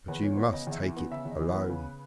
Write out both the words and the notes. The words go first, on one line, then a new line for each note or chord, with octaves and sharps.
But you must take it alone.
E2 B4
E3 C#5
B3 C#5
C#3 D#5
E2 E5
E3
B3
C#3 E5
E2
D#5
E3
B3 B4
C#3